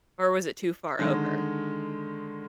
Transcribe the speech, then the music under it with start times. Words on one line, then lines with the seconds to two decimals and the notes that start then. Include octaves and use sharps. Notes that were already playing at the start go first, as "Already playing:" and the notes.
Or was it too far over?
0.99 D3 D#3 G#3